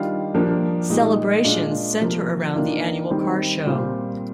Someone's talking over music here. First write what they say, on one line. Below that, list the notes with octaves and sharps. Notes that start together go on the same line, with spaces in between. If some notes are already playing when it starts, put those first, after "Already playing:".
Celebrations center around the annual car show.
Already playing: D#3 G3 D4 F4
F3 A#3 D4 G4
A#2 G#3 D#4 G4
A#2 G#3 D4 F4
C3 F3 A#3
D#3 A#3 D4 F4
D#3 G3 C4
A#2 G3 C4 F4